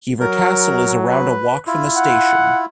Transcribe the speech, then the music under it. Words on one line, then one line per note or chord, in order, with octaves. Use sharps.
Hever Castle is around a walk from the station.
F#3 A#4
B4
E4 F4
F#5